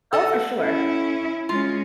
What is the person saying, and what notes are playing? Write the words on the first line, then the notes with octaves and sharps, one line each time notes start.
Oh, for sure.
A4 D#5 F#5
C#4 E4
G#3 C#4 F4